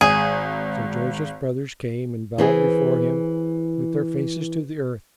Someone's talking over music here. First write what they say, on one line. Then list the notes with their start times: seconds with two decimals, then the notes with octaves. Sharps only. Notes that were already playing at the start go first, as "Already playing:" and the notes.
So Joseph's brothers came and bowed before him with their faces to the earth.
0.01 G#1 G#4
2.38 E3 C4 G#4